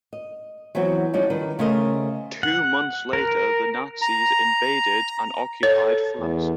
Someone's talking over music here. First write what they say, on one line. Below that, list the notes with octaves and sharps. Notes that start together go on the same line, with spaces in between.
Two months later the Nazis invaded and occupied France.
D#5
E3 F#3 B3 C4 F#4
F3 G3 C#4 D#4
D#3 B4
C#3 A3 A#4 C5 D#5
F#5
A#4
A#5
A4 C#5
E2